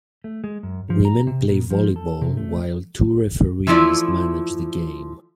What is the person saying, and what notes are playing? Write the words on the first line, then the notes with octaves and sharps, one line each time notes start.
Women play volleyball while two referees manage the game.
A3
G#3
F#2
F3
A#5
C3
A#2
F3
A4
C3
A3
E3 F3 A3 E4 F4 D5